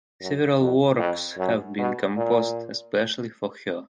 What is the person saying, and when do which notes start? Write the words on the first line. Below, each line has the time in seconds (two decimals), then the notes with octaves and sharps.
Several works have been composed especially for her.
0.21 F#2
0.60 F2
0.99 F2
1.38 F#2
1.78 B2
2.17 A#2